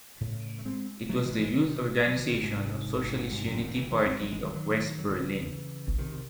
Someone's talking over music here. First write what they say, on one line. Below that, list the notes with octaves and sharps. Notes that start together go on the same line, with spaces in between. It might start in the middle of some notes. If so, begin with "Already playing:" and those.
It was the youth organization of Socialist Unity Party of West Berlin.
A2 C#3
A3
G#3 C4
F#3 A3
E3 G#3
E3 G#3
D#3 F#3
C3 D#3
F#3
E3
D#3
C#3
G#2 C3
G#2 C3
F#2
C3 D#3
C#3 E3
D#3 F#3
G#3 C4
F#3 A3
E3 G#3
D#3 F#3
D#3 F#3
F#3
C#3 E3
C3 D#3
C3